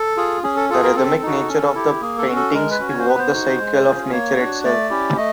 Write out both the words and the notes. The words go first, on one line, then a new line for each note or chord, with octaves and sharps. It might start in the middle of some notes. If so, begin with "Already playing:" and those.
The rhythmic nature of the paintings evoke the cycle of nature itself.
Already playing: A4
F4 G#4
C#4 G#4
A4
F4 G#4 A4
A#4
C4 A4
D#4 F#4
C#4
E4 G4
A#3 G#4
A4
C#4 F#4
A4
G#3 A#4
B4
C#4 F#4
C#5
C5
B3 B4
C5
D#4 F#4
G#3
C#4 F4 G#4
A#3 C#5
D4 F#4
A3 D5
C#4 E4 G4
A3 D#5